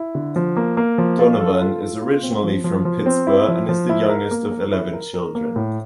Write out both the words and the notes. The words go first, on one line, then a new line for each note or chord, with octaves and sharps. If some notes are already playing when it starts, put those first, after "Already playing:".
Donovan is originally from Pittsburgh and is the youngest of eleven children.
Already playing: E4
D3
F3
A#3
A#3
F3
F4
A4
F4
F4
F4
C4
F3
F3
F3
C4
E4
F3
F3
E4
A#4
A#3
A#4
E4
A#4
A#4
A#3
A2